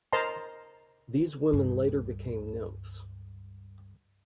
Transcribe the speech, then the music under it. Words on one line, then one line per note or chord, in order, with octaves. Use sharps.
These women later became nymphs.
A#4 C5 D#5 A5 A#5 C6
C#2 G2